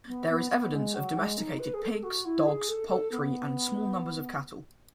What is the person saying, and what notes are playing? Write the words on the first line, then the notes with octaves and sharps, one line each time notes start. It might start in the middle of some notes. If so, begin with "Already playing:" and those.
There is evidence of domesticated pigs, dogs, poultry, and small numbers of cattle.
B3
B3
B3
G#3
F#3
G#3
D#4
B4
G#4
A4
F#4
E4
G#4
A4
A4
B3